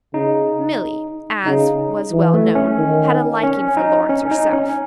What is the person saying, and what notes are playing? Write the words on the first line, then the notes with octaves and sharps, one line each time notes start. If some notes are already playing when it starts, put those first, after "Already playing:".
Milly, as was well known, had a liking for Lawrence herself.
C#3 D#4
C#3 D#4
E3
A3
C#4
D#3
C#4
D#4
C#4
D#4
C#4